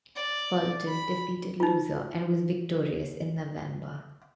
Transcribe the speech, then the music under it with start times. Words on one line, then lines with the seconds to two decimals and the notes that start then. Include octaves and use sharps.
Fulton defeated Loser and was victorious in November.
0.16 D5
0.87 B5
1.60 D#4 F4